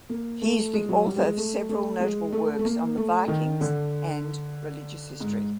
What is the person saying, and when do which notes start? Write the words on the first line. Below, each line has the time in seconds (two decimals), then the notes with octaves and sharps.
He is the author of several notable works on the Vikings and religious history.
0.09 A#3
0.42 A3
0.73 G#3
0.89 F#3
1.06 G3
1.16 G3
1.20 G#3
1.37 A3
1.69 A3
2.00 G#3
2.32 A3
2.59 A3
2.65 A#3
2.97 A3
3.28 D#3
3.61 D3
5.20 G#2